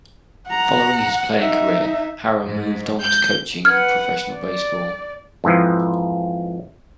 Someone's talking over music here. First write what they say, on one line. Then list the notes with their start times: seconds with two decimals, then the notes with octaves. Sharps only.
Following his playing career, Harrah moved on to coaching in professional baseball.
0.50 F#5 A#5
1.39 D#4 E5
2.45 G#2
3.01 G6
3.65 B4 F#5 F6 G#6
4.34 D5
5.44 F2 G#2 E3 F3